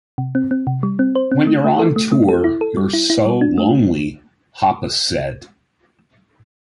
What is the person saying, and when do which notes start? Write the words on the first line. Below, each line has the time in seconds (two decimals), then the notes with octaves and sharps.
"When you're on tour, you're so lonely," Hoppus said.
0.18 C3
0.35 C4
0.51 C4
0.67 C3
0.83 G3
0.99 C4
1.15 C5
1.32 C4
1.47 A3
1.64 A3
1.79 A4
1.96 A3
2.12 A3
2.29 A4
2.44 E4
2.61 A4
2.77 G3
2.93 E4
3.10 E4
3.26 G3
3.41 D4
3.58 A3